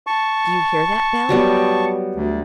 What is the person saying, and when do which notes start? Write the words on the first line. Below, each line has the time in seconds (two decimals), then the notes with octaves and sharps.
Do you hear that, Bell?
0.07 A5 C#6
1.29 F#3 G3 B3
2.15 D2